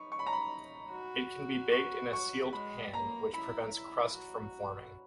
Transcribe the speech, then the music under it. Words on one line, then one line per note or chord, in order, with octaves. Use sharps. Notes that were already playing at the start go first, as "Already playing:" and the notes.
It can be baked in a sealed pan, which prevents crust from forming.
Already playing: D#4 B5 C#6
C#6
B5
A#5
B5
F#4
C#6
C#6
G#3 B5
A#3 A#5
E4 B5
E4
F#4